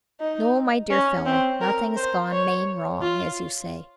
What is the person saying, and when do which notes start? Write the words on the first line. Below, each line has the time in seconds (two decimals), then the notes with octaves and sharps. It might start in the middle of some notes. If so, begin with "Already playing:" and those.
No, my dear fellow, nothing's gone main wrong, as you say.
0.20 D#4
0.91 C#4
1.26 C4
1.61 A#4
1.97 C5
2.32 C#5
3.02 F4